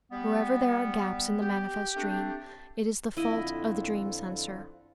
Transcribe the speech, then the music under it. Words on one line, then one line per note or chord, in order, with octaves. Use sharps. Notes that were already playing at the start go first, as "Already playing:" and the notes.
Wherever there are gaps in the manifest dream, it is the fault of the dream censor.
G3 B3
G4
A3 C4 D4
F2 D3 E4 F4 D#5